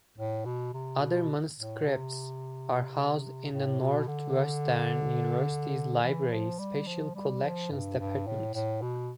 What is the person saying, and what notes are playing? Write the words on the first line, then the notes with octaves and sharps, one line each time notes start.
Other manuscripts are housed in the Northwestern University's Library special collections department.
A2
B2
C3
B2
A2
C3
A2
B2
D3
E3
F3
G3
F3
G3
F3
G2
G2
A2
A2
B2